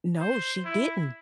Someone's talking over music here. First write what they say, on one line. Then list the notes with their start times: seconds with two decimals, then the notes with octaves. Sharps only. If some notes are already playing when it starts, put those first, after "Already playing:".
No, she didn't.
0.20 C5
0.65 E4